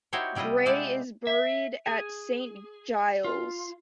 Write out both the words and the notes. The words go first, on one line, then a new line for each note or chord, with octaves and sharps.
Gray is buried at Saint Giles'.
D#4 E4 F#4 G4 C5 C#5
C3 G3 E4 F4 D#5
G#3 E4 G4 D5 F#5
E5
G#4
F4